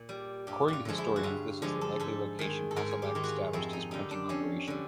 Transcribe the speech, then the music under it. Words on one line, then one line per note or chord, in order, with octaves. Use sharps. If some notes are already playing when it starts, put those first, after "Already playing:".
According to historians this is the likely location Hasselbach established his printing operation.
Already playing: A#2
G3
G2 G4
F4 F#4
D3 F3 G#3
E4
F#4
G2 F4
D3 F3 G#3
A4
G#2 A4
D#3 G#3
A4
G#2 A#4
G#4
G4
D#3 G#3
F4 F#4
F2 E4
D#4
D3 G3 D#4
D4
F2 C#4
D3 G3